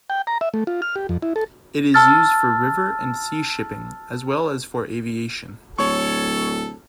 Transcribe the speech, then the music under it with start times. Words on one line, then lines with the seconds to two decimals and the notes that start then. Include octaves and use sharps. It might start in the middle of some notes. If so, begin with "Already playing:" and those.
It is used for river and sea shipping, as well as for aviation.
0.10 G5
0.27 A#5
0.41 E5
0.54 A3
0.67 F4
0.82 F6
0.96 G4
1.09 F2
1.22 E4
1.36 A4
1.94 A5 E6 F6 A6
5.78 D1 A4 C#5 C#6